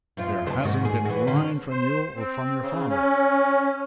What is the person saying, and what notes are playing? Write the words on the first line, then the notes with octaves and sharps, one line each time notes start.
There hasn't been a line from you or from your father.
F#2 F3 F4
D#2 C#3 C5
G#2 D#3 F#4
G#4
E3 F#4
D3 C#4 C5
C5
C4
C#3
C#4